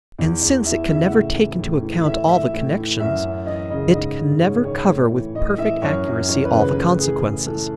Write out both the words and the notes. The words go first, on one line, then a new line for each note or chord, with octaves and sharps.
And since it can never take into account all the connections, it can never cover with perfect accuracy all the consequences.
E2
E2
E3 E5
C#3 E5
F#5
A2 E5
E3
A2
E3
A2 E5
E3 E5
A2
E3
F#2 E5
F#2
E3 D#5
C#3 D#5
G#2 D#5
D#3
G#2 C#5
D#3 C#5
A2
E3
A2 D#5
E3 E5
F#2 C#5
F#2
E3 C#5
B4
C#3
B4
A2 B4
E3 G#4
A2 G#4
E3 A4